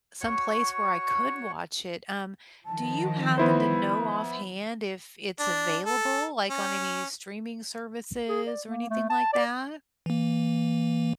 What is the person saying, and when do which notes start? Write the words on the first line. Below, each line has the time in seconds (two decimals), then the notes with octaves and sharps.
some place where I could watch it. Um, do you happen to know offhand if it's available, like, on any streaming services or anything like that?
0.21 F#4 C#5 C#6
2.66 D#3 F3 A5
3.38 B3 E4 C5 B5
5.40 D4
5.86 A4
6.50 C#4
8.29 G#4
8.47 D5
8.67 A#3
8.90 A3
9.10 A5
9.33 D5
10.06 E3 A#3